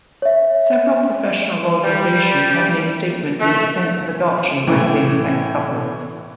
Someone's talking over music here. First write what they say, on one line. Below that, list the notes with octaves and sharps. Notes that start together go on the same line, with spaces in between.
Several professional organizations have made statements in defense of adoption by same-sex couples.
C#5 E5
G3
A3
A2 E3